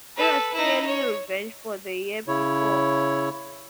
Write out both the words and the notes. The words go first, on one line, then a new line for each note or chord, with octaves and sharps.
It was clearly revenge for the year before.
A4 B4
D#4 E4
C#5
C#3 E4 C#5